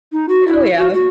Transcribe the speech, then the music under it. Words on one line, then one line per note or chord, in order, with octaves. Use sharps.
Oh, yeah,
D#4
F#4
E4
F#4
F#4